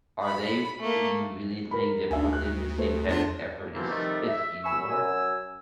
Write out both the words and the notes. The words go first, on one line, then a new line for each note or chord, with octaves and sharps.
are they do you really think they're putting in the same kind of effort as as you are
B5
A3 A#3
A#4 B5
D2 D4 E5 G#5
F#6
A3 C5
E2 D4 F4
B2 E3 F3 A3 A#3 C4
C3 D#3 F3 G3 A3
E5
G#5 B5 C#6 E6
F#2 G#5 E6